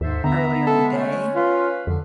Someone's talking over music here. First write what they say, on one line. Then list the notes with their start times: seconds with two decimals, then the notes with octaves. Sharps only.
earlier in the day?
0.01 D#2 G#2 A4 C5 E5
0.24 D3 B3 E5 A#5
0.67 G#3 A4 E5
0.93 G#3 A3 C#4
1.35 F4 B4 F5
1.87 F2 D3